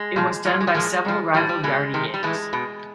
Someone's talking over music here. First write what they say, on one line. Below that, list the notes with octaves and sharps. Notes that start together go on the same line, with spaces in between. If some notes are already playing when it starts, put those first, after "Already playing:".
It was done by several rival yardie gangs.
Already playing: G#3
A#2 F3
A#2 F3 G#3
G#3
G3
A#2 F3 G#3
C3 F3
A2 F3 G3
G3
B2 G#3
C3 D#3
G3
A2 E3 G#3
B2